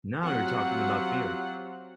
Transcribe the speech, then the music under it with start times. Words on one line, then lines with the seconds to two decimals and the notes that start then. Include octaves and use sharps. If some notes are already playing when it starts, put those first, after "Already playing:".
Now you are talking about beer!
0.23 F#3 C4 F4 G4 F#5